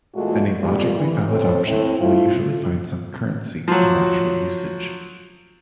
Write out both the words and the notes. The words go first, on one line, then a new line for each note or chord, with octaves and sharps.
Any logically valid option will usually find some currency in natural usage.
E2 A#2 G#3 A3 F4 F#4
F2 A#2 G3
E3
C4 A4 C#5
A2 C4
A3 C4 E4 F4
F3 F#3